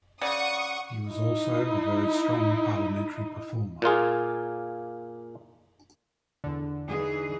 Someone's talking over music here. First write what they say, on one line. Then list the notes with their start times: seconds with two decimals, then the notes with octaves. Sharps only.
He was also a very strong Parliamentary performer.
0.21 C#3 D5 F#5 C#6 D#6
1.11 D#4 E4
3.82 A#2 A#3 F4 G#4
6.44 E2 D3
6.89 E3 D#4 G#4